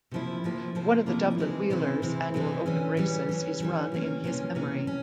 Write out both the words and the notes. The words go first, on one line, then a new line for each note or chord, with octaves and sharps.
One of the Dublin Wheelers annual open races is run in his memory.
C3 F3 A#3 E4
C3 F3 A#3 E4
C3 F3 A#3 E4
C3 F3 A#3 E4
C3 E3 G#3 C4 E4
C3 E3 G#3 C4 E4
C3 E3 G#3 C4 E4
C3 E3 G#3 C4 E4
E3 G3 C#4
E3 G3 C#4
E3 G3 C#4
E3 G3 C#4
C3 E3 A#3 C#4
C3 E3 A#3 C#4
C3 E3 A#3 C#4
C#4